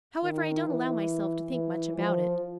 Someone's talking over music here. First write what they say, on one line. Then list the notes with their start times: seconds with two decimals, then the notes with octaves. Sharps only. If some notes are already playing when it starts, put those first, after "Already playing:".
However, I don't allow myself to think much about it.
0.23 D#3
0.67 E3
1.53 E3
1.96 F3